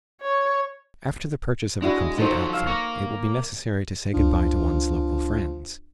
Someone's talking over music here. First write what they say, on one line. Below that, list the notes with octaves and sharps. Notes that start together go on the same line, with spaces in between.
After the purchase of a complete outfit, it will be necessary to say goodbye to one's local friends.
C#5
G#3 D4 E4 F#4
F3 F#3 D#4 A4 C5
F5 E6
A#3 C#6
C#2 F3 D4